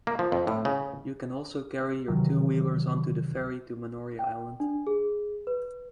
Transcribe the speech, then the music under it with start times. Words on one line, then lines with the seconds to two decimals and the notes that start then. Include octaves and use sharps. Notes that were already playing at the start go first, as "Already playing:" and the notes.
You can also carry your two wheelers onto the Ferry to Manori Island.
0.07 A#3
0.19 F3
0.32 F2
0.47 A2
0.65 C#3
2.08 C#2 C3 D#3 E3 F#3
4.19 G5
4.60 D4
4.87 G#4
5.47 B4